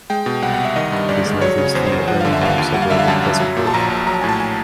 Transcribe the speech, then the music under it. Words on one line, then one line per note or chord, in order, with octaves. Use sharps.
It is northeast from the Birmingham suburb of Pleasant Grove.
G#3 G5
B2
C2 F#5
F#5
C2
E5
D#3 D#5
G2
G1 D5
G#3
F#3 C#5
C#3
E2 C5
C5
E2
F3 F#5
D3 F5
E5
D#2 F5
D#2
G3 F#5
F5
D3 E5
F5
F#2 A5
F#2
F#3
A#2
A5
A#1 A#5
A#1
F#3 A#5
A5
A2 G#5
A5
G#5